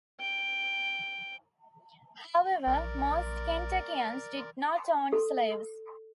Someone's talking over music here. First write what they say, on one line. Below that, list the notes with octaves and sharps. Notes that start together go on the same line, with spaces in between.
However, most Kentuckians did not own slaves.
G5
A#1 A#4 D5
A4